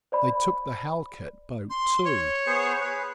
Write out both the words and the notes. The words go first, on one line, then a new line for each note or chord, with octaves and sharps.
They took the halkett boat too.
C5 D5 B5
C6
C#5
B3 G#4 C5
G#4 B4